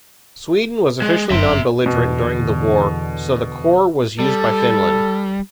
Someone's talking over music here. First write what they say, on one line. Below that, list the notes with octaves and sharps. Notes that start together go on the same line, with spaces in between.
Sweden was officially non-belligerent during the war, so the Corps was used by Finland.
G#3
G1 F#2 E5 C6
E2 B2 D3
G3 A4